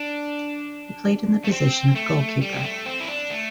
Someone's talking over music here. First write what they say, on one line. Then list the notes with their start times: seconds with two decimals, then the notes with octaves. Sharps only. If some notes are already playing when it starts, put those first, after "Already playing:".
He played in the position of goalkeeper.
Already playing: D4
1.44 A3
1.51 C4
1.95 A3
2.41 G3
2.53 C4
2.63 A3
2.86 C4
3.00 E4
3.08 D4
3.30 A3